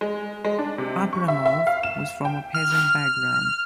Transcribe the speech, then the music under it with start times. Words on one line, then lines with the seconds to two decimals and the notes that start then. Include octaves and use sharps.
Abramov was from a peasant background.
0.01 G#3
0.45 G#3
0.59 D4
0.78 C3
1.13 C#6
1.28 E5
1.46 E5
1.67 F5
1.83 E7
2.25 G5
2.54 F6